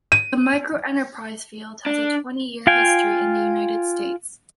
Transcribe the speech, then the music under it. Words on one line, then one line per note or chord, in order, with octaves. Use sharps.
The microenterprise field has a twenty-year history in the United States.
D#7
D4
F4 F5 G5 G#5